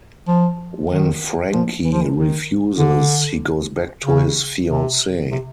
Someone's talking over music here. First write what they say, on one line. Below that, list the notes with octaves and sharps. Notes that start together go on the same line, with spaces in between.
When Francie refuses, he goes back to his fiancee.
F3
D#3
F3
E3
F3
E3
D#3
D3
C#3
C3
C3